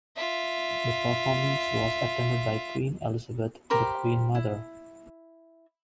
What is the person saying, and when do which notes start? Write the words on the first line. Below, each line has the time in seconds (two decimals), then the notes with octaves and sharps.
The performance was attended by Queen Elizabeth, the Queen Mother.
0.16 F4 E5
3.70 G4 A#4 C5 B5
4.35 E4